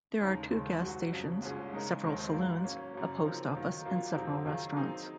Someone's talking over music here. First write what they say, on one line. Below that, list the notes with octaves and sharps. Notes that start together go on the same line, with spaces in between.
There are two gas stations, several saloons, a post office, and several restaurants.
D#2 C#3 G#3 D#4
D#2 D#3 G#3 C4
C2 C3 F#3 C4 F#4
F2 C#3 F#3
C2 A#2 G#3 C#4 G#4
C#3 G#3 D#4 A#4 D#5
D#2 D#3 G#3 C4
G#2 F#3 A#3 F4
F#3 A#3 C#4
F#2 C#3 F#3 A#3
F#2 F3 C4 D#4 A#4
D#3 F#3 A#3 F4
A#2 F#3 A#3 F4
F2 C3 F#3 C4 D#4
D#3 F#3 A#3 F4 G#4
F#3 C4 D#4 G#4